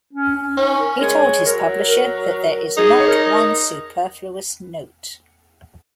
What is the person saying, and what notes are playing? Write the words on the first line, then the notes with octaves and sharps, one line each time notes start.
He told his publisher that "there is not one superfluous note".
C#4
C#4
C#4 D#4
A#4
G#3 C#5
F#3 A#4
A#4
D#4 G#4
C#5
A#4